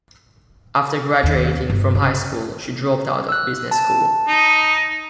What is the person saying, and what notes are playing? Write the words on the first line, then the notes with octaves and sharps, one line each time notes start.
After graduating from high school, she dropped out of business school.
D#2
G1
C#3
E6 F#6
A5
D#4